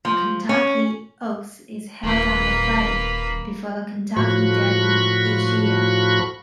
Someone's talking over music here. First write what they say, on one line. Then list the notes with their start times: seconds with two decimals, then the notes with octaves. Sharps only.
The Kentucky Oaks is held on the Friday before the Kentucky Derby each year.
0.05 F3
0.49 C#4
2.03 D#1 A#3 B4
4.16 A2 F3 F#4 B5 C#6